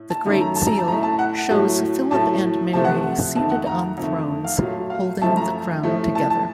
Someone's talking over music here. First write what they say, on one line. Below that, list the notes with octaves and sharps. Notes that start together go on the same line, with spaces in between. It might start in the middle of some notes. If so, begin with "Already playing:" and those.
The Great Seal shows Philip and Mary seated on thrones, holding the crown together.
Already playing: A2
A5
F#2 D#3 F#3 A3
A#5
A5
A#5
A5
A2 A3 A#5
A5
F#5
A2 F#3 A3
A2 F#3 A3 A5
C3 F3 A3 A5
F#5
F2 D#3 A3 A5
F#5
A#5
F2 D#3 A3
F5
A#2 F#3 A3
F5
F#2 F3 A3 A5
A#5
A2 F3 A3
A5
A5